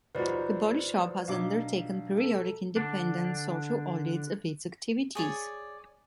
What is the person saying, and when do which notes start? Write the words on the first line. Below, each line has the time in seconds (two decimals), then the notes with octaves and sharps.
The Body Shop has undertaken periodic independent social audits of its activities.
0.15 D#2 B2 F3 B4 C5 D5
1.28 B1 D4 F5 D6
2.17 A4
2.76 D3 D4
5.15 G#4 C#5 D5